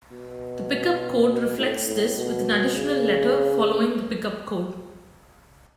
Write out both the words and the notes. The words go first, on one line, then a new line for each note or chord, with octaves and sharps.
The Pickup code reflects this with an additional letter following the pickup code.
B2
A2
A2
B2
C#3